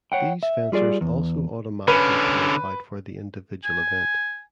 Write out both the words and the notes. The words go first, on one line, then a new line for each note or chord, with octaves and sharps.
These fencers also automatically qualified for the individual event.
C#5 F#5 G5
E5
G3 F4 G#4 D5
E2
D3 C#4 B4
G#5